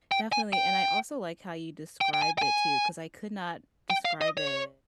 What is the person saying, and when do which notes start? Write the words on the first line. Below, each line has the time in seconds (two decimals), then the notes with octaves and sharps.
definitely. And I also like how you described it too, 'cause I could not describe it,
0.12 G5
0.32 G#5
0.53 G5
2.01 G5
2.14 G5
2.22 G#5
2.38 G5
2.42 G#5
3.90 G5
4.05 F5
4.21 D#5
4.37 C#5